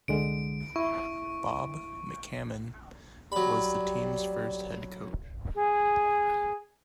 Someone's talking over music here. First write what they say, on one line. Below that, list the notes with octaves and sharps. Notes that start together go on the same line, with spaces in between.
Bob McCammon was the team's first head coach.
C2 D3 G#3 D7
E4 C#6
F#3 G3 B5
G#4